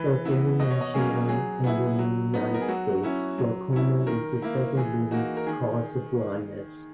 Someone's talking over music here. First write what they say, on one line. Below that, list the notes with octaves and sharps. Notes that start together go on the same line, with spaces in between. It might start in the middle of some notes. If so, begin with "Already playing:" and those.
Both internationally and in the United States glaucoma is the second-leading cause of blindness.
Already playing: E3 B4
B3 E4
B2 D#5
C#5
D#5
F#3 A#3 C#4 G#4
F#3 G#4
B3 E4
F#3
B3 D#4
A#4
G#4
F#3 F#4
C#4 E4
F#3
C#4 E4
D#3 A#4
A#3 E4
E3 G#4
A#3 D#4 F#4
A#4
D#3 G#4